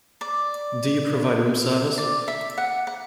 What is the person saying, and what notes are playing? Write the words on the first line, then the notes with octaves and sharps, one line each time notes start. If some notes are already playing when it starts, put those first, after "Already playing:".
Do you provide room service?
D5
D5
E5
F#5
F#5